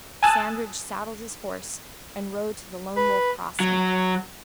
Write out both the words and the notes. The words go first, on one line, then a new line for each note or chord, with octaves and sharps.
Sandridge saddled his horse and rode to the Lone Wolf Crossing.
G#5 A5 D#6 E6 F#6 A6
B4
F#3